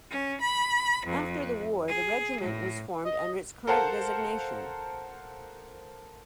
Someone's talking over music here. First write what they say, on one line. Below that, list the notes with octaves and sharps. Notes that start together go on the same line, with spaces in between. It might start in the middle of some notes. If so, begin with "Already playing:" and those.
After the war, the regiment was formed under its current designation.
C#4
B5
F2
G#4
A2
D#5
A4 A#4 C5 F5 F#5 A5